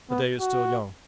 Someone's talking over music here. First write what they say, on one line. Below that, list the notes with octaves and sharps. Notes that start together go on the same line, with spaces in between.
The day is still young.
B3
F#4